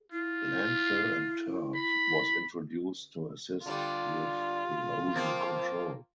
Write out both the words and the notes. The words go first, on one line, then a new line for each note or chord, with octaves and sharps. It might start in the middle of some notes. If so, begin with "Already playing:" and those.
Landfill and turf was introduced to assist with erosion control.
E4 F4
B5
D3 G3 F4 D5
F3 A#3 C4